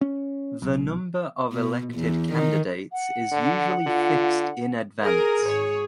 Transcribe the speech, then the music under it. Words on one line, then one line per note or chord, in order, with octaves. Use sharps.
The number of elected candidates is usually fixed in advance.
C#4
B1
B2
E2
D#3
F#5
D3
D3 F4
G#4 A#4
G#1 C#5